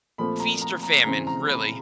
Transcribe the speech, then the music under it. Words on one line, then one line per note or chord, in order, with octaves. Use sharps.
feast or famine, really.
A#2 F3 A3 C4 B5
A#5
A#5
A#5
C#3 E3 G#3 C4 A#5
A#5
B5